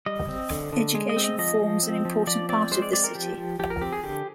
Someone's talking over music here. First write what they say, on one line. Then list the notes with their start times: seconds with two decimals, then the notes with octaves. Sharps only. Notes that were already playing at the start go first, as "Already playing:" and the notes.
Education forms an important part of the city.
0.06 G3 D#5
0.28 C4
0.51 D3
0.73 D3
0.95 G#3
1.09 D#5
1.17 C4
1.24 D#5
1.38 F3 D#5
1.61 F3
1.83 C4
2.05 F3
2.27 F3 D5
2.49 C4 D5
2.71 G#3 C5
2.82 D5
2.93 C4 D5
3.04 A#4
3.15 F3 G4
3.37 F3
3.59 F3 G4
3.70 A#4
3.81 C4 G4
3.93 G#4
4.03 D3 G4